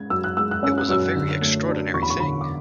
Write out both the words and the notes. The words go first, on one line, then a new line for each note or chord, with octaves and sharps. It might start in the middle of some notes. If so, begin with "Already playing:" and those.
It was a very extraordinary thing!
Already playing: G#3 C#4 G#6
F#2 E6
F#6
G#3 E6
F#6
C#4 E6
F#6
F#2 E6
D3
A3
D4
E2 C#6
B5
C#6
D3 B5
D6